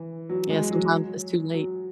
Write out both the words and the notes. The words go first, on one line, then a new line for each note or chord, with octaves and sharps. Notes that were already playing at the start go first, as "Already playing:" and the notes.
Yeah, sometimes it's too late.
Already playing: E3
F#3
G#3
F#3
F#3